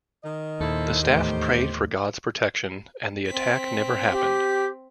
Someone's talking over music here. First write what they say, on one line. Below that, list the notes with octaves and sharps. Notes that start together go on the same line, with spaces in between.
The staff prayed for God's protection, and the attack never happened.
D#3 D#5
D#2 A#2 E4 A4 C5
E2 A2 G4 C5
C4 B6
G4